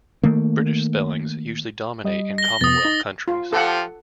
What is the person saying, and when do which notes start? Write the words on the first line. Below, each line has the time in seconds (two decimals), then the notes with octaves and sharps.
British spellings usually dominate in Commonwealth countries.
0.23 D#3 A3 A#3
2.05 G3 D#5
2.38 A#6 G7
2.61 F2 C3 B3 D#6 A6
2.85 D#4
3.28 F4
3.53 F3 F4 G4 A4 F#5